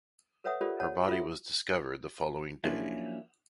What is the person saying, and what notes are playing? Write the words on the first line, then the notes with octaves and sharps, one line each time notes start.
Her body was discovered the following day.
A4 B4 C#5 E5 F#5 D#6
F4 G4 A4 A#4 C5 D5
C#5 F#5 A5
F4 A4 E5
F3 F#3 A#3 C#4 D4 E4